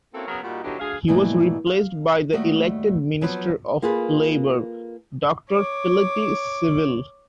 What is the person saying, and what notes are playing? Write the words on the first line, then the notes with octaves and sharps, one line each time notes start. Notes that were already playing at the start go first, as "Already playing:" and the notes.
He was replaced by the elected Minister of Labour, Doctor Feleti Sevele.
A#3 C4 C#4 E4 F#4 A4
C#3 F#3 B3 G#4 A#4
A#2 G3 D#4 F#4
B2 D3 F#3 D#4 E4 G4
D2 G#4 F5
G#2 B2 E3 G3 A3 A#3
F5
D#2 G3 A3 F#4 D#5
F3 F#3 B3 B4 C5
A#3 F4 G#4 A4 B4
C#5 D6